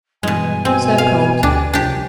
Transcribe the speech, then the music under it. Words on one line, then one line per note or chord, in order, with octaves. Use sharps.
Serve cold.
G2 B2 E3 G#3 G#5
B2 C4
F5
D2 D4 G4 D5
F#1 C2 F3 D4 G4